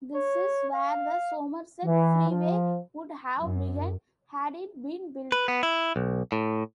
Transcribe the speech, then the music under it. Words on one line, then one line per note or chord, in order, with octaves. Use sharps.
This is where the Somerset Freeway would have begun had it been built.
C#5
F5
E3
F3
F#2
B4
B3
E4
B1
A2